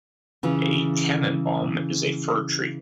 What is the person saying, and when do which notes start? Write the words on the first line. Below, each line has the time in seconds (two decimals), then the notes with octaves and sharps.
A "Tannenbaum" is a fir tree.
0.43 C#3 E3 F4